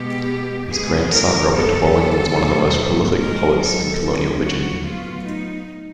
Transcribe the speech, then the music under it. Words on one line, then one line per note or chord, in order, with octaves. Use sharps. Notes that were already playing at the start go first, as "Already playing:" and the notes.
His grandson Robert Bolling was one of the most prolific poets in colonial Virginia.
Already playing: B2 G#3 B3 G4
B2 G#3 B3 G#4
A#4
F#2 D3 G3 B3 A4
B2 F#3 A3
G#2 D#3 F#3 B3 A#4
A4
F2 C#3 F#3
F#4
A2 F#3 B3 F4
D#4